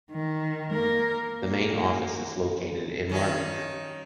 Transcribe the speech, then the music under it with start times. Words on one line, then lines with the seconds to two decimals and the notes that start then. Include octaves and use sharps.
The main office is located in Marmande.
0.11 D#3
0.71 A#3 A#4
1.28 A#3
3.09 D#3 C#4 D#4